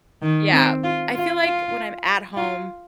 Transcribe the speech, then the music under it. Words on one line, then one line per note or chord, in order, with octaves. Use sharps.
yeah, I feel like, when I'm at home
D#3
C4
F4
F4
F4
F4